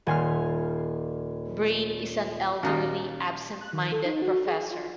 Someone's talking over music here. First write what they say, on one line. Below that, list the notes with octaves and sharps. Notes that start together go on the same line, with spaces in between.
Brain is an elderly absentminded professor.
D#1 G#5 C6 F6
D#2 A#2 C#4 D#4 F4 F#4
F#6
D#3
A4
D#4
F#4
G#4
F4